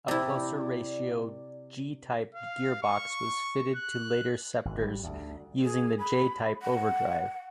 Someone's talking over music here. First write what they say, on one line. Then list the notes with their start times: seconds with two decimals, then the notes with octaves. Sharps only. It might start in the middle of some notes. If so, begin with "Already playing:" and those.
A closer ratio G-type gearbox was fitted to later Sceptres, using the J-type overdrive.
0.08 C3 E4 D5
2.35 F5
2.83 C#6
3.76 F#6
4.65 G#1
4.82 G3
5.03 D2
5.62 G#4
5.99 B5
6.62 F#5